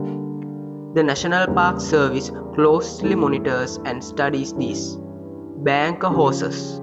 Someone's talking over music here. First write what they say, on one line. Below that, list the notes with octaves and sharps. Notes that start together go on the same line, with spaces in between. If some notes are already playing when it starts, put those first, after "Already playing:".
The National Park Service closely monitors and studies these "Banker horses".
Already playing: D3 G3 A#3
E2 C#3 G3 A#3
G2 E3 A3 E4
G2 E3 G3 C#4
C#3 F3 C#4 G4